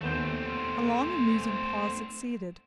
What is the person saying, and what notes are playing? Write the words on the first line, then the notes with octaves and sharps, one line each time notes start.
A long and musing pause succeeded.
D#2 A3 B3 C4 G6